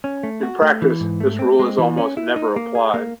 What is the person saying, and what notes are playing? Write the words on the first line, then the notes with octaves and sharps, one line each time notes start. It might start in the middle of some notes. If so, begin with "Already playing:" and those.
In practise this rule is almost never applied.
C#4
A3
F#4
A3
E3
G#2
A3
C4
G#3
E3
C#4
E4
D#4
A#3
G#4
A#3